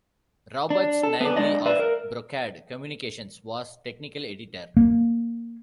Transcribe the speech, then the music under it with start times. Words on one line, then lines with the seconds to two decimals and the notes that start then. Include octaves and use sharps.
Robert Snively of Brocade Communications was technical editor.
0.70 D4
1.03 A4
1.21 B3 D4
1.36 G#3 D4 D5 D#5
1.66 B4 D5 E5 F5
1.79 A#4
4.77 A#3